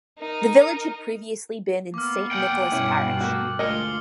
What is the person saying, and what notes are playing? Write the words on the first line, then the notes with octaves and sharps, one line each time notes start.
The village had previously been in Saint Nicholas Parish.
D#4 A#4
A#3 B3 D6 F6
F#5 G5 F#7
G2 B2 C#4 E4 D6
A3 A#3 F#4
D2 G#3 F4 A#4 D#5 F6 C#7 G7